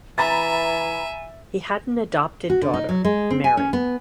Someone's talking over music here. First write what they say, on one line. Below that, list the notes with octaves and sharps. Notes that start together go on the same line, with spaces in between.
He had an adopted daughter, Mary.
E3 E5 G#5 A#5 B5 A6
F#4
D3
D#4
F#3
G#3
C4
G#5
C#4
B3